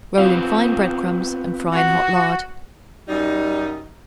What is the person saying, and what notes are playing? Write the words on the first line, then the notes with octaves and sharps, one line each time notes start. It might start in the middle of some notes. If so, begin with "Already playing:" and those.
Roll in fine bread-crumbs and fry in hot lard.
B3 C4 F4
F#4
F#2 G3 D#4